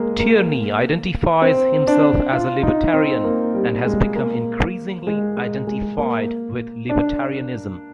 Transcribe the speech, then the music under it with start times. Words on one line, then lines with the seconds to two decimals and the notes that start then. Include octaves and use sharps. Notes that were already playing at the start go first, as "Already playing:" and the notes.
Tierney identifies himself as a libertarian and has become increasingly identified with libertarianism.
Already playing: G#3 A#3
0.19 A#3
1.42 C4
1.87 D4
2.33 F4
2.63 D#4
2.94 C4
3.24 A#3
3.54 G3
3.85 G#3
4.16 A#3
5.07 G#3
5.37 G#3
5.67 G#3
5.98 A#3
6.89 D4